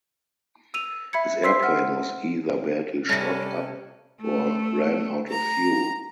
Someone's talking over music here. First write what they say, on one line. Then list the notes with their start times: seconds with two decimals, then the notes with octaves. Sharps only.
His airplane was either badly shot up or ran out of fuel.
0.74 E6 D#7 F7
1.13 E5 B5 G#6 C#7
1.43 C5 C6 E6 B6 C7
1.63 F#5 F6
3.09 C3 G3 A3 C#4
4.21 A3
5.29 A#5